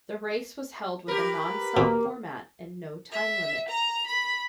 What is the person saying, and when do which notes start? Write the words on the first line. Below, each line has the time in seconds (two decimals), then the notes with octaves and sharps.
The race was held with a non-stop format and no time limit.
1.08 G4 A#4 B4
1.77 B2 A#3
3.12 E5
3.68 A#5
4.07 B5